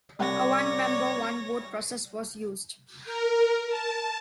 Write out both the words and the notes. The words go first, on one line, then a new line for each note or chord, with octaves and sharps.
A One member, one vote process was used.
C2 C#5 D5 F#5 A#6
A#4
A5